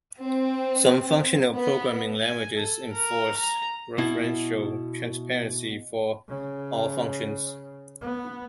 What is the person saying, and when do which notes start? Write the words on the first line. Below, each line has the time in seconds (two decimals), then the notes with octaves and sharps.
Some functional programming languages enforce referential transparency for all functions.
0.23 C4
1.57 B3
2.22 G#5
2.56 A4
2.92 A#4
3.37 A#5
3.98 B2 E4
6.28 C#3
8.02 B3